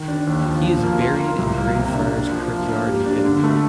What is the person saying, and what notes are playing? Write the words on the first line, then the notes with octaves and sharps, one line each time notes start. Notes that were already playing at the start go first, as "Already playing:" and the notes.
He is buried in Greyfriars Kirkyard in Edinburgh.
Already playing: D#3
D4
D#2
F3
F3
A#3
F4
A#3
C2
A#3
C3
D4
D4
F3
A#3
A#3
G4
D4
D3
A3